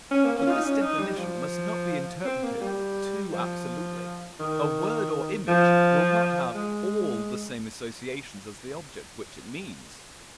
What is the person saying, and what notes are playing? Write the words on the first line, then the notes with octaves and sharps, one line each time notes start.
But this definition must not be interpreted too absolutely: a word or image will not have ALL the same associations as the object which it means.
C#4
A#3
C#4
F4
D#4
C#4
D#4
G3
F3
C4
A#3
G3
F3
D#3
F3
G#3